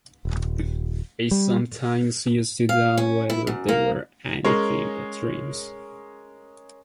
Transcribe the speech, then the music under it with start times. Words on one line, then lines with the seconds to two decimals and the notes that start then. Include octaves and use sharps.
I sometimes used to doubt whether they were anything but dreams.
0.25 D#1
1.31 G3
2.69 F5
2.97 C#4
3.30 E4
3.47 F#2
3.69 A#3
4.45 G#3 C#4 A#4 C#5